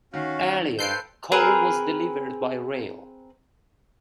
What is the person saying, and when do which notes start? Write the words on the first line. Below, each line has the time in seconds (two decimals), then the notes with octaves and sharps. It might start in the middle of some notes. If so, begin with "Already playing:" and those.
Earlier, coal was delivered by rail.
0.14 D#3 C#4 F#4 F5
0.79 A4 B4 C5 G6 C7 D7
1.32 C4 G#4 A#4 B4